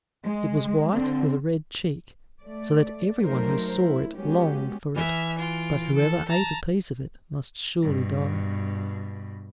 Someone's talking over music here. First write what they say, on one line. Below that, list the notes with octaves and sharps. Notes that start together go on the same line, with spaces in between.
It was white with a red cheek, so that every one who saw it longed for it; but whoever ate a piece of it must surely die.
G#3
D3 C4
A3 D5
F#3 A3 D#4 A#4 C5
E4
F#3 G#3 B3 C#4 G4
E3 E5 F6
F4 D7
A4
A5 A#5
G2 B2